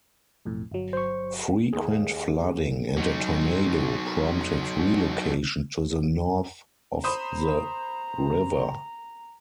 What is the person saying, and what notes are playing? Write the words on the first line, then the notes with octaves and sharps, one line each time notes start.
Frequent flooding and a tornado prompted relocation to the north of the river.
B1 F2 A2
G1 F#3
C5 C#6
D#2 G#4
F#3 D#4
C5 A#5 B5 D#6